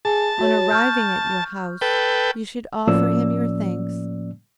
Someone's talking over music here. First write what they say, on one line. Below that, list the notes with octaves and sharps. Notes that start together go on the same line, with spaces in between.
On arriving at your house, you should offer him your thanks.
G#4 G#5 A5
F#4 C#5
C#6 F6 G6
A4 B4 G5
A2 F3 A#3 C#4 D5 E6